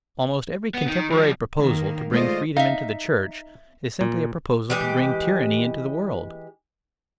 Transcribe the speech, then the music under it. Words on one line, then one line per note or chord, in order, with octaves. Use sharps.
Almost every contemporary proposal to bring freedom into the church is simply a proposal to bring tyranny into the world.
B3
D#3
F3 G3
D#3 A#3
G#3 A3 F4 C5 D5 D#5
D#4 E5 F5
A#2
E3 G#3 G4